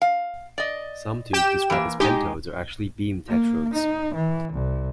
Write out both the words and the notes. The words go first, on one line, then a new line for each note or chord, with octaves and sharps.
Some tubes described as pentodes are actually beam tetrodes.
F5
D5 D#5
G4 G5 E7
E3 A#3
G#3 D#4 G4
A#3
D#4
E3
C2